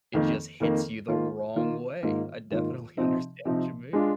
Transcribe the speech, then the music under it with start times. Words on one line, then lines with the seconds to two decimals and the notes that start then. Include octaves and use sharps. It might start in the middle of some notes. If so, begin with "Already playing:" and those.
it just hits you the wrong way. I definitely understand what you mean.
0.14 F2 D#3 A#3
0.60 F2 D#3 A#3
1.08 D#3 A#3 F4
1.56 D#3 A#3 F4
2.03 G#2 D#3 A#3 F4
2.51 G#2 D#3 A#3 F4
2.98 C3 F3 C4 D#4
3.45 C3 F3 C4 D#4
3.93 G#3 D4 F4